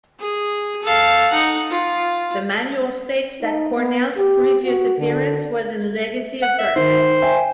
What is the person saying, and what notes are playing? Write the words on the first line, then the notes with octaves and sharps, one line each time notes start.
The manual states that Cornell's previous appearance was in Legacy of Darkness.
G#4
A4 F5
D#4 F#5
F4
D#4
B3
G4
F#4
D3
F#5
E5
D#3 C5
E5 G5 G#5